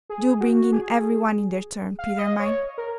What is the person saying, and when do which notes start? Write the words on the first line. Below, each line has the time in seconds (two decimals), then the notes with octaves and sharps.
Do bring in every one in their turn, Peter mine.
0.09 G#4
0.41 F#4
0.72 G#4
1.99 F5
2.19 D#5
2.40 C#5
2.78 A#4